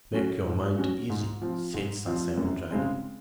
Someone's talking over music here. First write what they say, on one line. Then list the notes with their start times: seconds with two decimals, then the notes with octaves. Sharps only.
"Make your mind easy," said Sir Simon, dryly.
0.13 F#3 C#4 F#4
0.46 G#2
0.77 F#3 C#4 F#4
1.10 G#2
1.42 F3 C4
1.74 G#2
2.06 F3 C4
2.37 F#2
2.71 C#3 G#3 C4